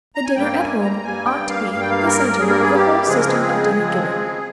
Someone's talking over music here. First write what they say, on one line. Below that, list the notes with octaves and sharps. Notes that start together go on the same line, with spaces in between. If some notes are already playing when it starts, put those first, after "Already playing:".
The 'dinner at home' ought to be the centre of the whole system of dinner-giving.
A#5
G#5
G2 G3 A#3 G5
G#5
A#5
G2 G3 A#3 G#5
G5
F5
G2 G3 A#3 F5
G5
F5
A#4
G2 G3 A#3 G#4
A#4
G#4
G4
C#3 F3 G#3 C4 G#4
A#4
G#4
G#4
C#3 F3 G#3 C4